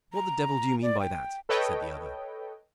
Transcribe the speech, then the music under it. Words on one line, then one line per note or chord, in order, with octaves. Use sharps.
"What the devil do you mean by that?" said the other.
A#5
D5
G5
A4 B4 C#5 D#5 G5